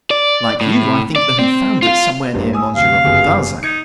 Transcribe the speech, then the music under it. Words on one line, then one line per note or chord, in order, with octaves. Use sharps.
Like you, I think that he found it somewhere near Monsieur Robert Darzac.
D5
A2
D5
C4
F4 F5
A#1 G2 A#3
G#5 D#6 E6
D2 C3 F5
G1 F#2 C#3
D#4 G#6 C#7